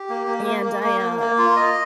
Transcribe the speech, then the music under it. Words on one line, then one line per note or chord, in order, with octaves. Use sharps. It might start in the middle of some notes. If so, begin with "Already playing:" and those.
and I, uh
Already playing: G4
A#3
A#3
A#3
A#3
A#3
A#3
A#3
F4
D#5